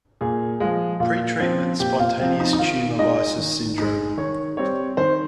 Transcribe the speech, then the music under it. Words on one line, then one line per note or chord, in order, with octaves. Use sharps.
Pretreatment spontaneous tumor lysis syndrome.
A#2 G#4
F3 G#3 F4
A#2 F4
F3 C4
A#2 G4
F4
F3 C4
D#4
D#4
D#3 F4
G#3 D#4 D#5
D#3
G#3 D#4
D#3 C#5
G3 C4 C#5
D#3 C5